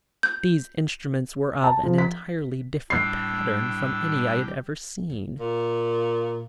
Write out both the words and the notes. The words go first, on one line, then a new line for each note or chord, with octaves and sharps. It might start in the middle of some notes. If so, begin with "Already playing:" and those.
These instruments were of an entirely different pattern from any I had ever seen.
G6
A5
F3
B6
A2 G3 D4 G4 E6 C7
A#2